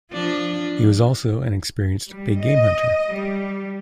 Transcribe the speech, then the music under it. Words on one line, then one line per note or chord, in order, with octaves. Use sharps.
He was also an experienced big-game hunter.
F3 D4
G3
D#5
G3